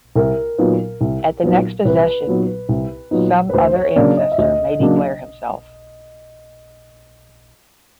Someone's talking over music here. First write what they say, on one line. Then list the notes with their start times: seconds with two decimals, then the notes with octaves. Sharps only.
At the next possession, some other ancestor may declare himself.
0.15 C2 A#4
0.58 A#2 F#3 B3 D#4
1.01 C2
1.43 A#2 F#3 B3 D#4
1.85 C2 B4
2.27 A#2 F#3 B3 D#4
2.69 C2
3.11 A#2 F#3 B3 D#4
3.49 B4
3.54 D2 C5
3.75 C#5
3.96 C#3 F#3 A#3 D4 D5
4.17 D#5
4.32 E5
4.38 D2 D#5
4.80 C#3 F#3 A#3 D4